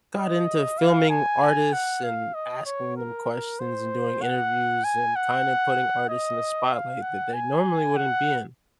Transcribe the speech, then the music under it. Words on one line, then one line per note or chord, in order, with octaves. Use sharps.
got into filming artists and asking them questions and doing interviews and kind of putting artists in the spotlight that they normally wouldn't be in,
D#5
F5
G#5
F#5
F5
D#5
C#5
A#4
C5
F#5
G#5
F#5
D#5
F5
F#5
G#5
F#5